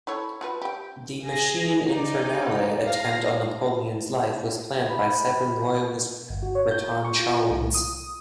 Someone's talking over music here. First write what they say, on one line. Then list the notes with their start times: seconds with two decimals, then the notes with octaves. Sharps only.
The "machine infernale" attempt on Napoleon's life was planned by seven royalist Breton chouans.
0.07 E4 A4 C#5
0.41 F4 F#4 B4
0.62 G4 G5
1.25 G#4 A#6
1.89 D#4 D5
2.86 F5 A#6
4.90 B5
6.29 G1
6.42 F#4
6.55 C#5
6.71 G6
7.05 C#6
7.20 F4
7.50 C2
7.74 D#6